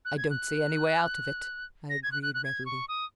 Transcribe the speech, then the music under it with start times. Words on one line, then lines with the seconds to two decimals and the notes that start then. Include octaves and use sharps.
"I don't see any way out of it," I agreed readily.
0.05 F#6
0.17 G#6
0.30 F#6
1.90 A#6
2.03 G#6
2.12 F#6
2.23 F#6
2.34 F#6
2.44 G#6
2.66 C#6
2.88 D#6